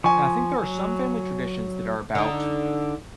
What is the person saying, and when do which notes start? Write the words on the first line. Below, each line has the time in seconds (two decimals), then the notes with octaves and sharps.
And I think there are some family traditions that are about
0.04 F3 G#5 C#6
0.63 F#3
2.15 D3 D#4